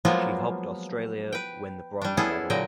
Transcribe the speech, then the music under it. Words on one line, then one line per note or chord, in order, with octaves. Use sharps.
She helped Australia win the bronze medal.
F3 F#3 G#3 A#3 B3 F4
B4 G5
G3 D4
B3 C#4 E4 G#4 A4
A#2 D3 F#3 D#5 G5